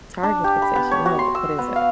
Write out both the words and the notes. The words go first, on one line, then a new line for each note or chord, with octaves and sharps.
Target fixation. No. What is that?
D4
G4
B5
B3
C#5
F#4
C6
E6
B3
F5